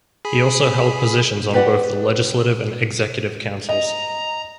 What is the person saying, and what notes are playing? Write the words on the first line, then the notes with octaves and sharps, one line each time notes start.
He also held positions on both the Legislative and Executive Councils.
G#4 B5
G4 B4 D5 F#5
D#5 A#5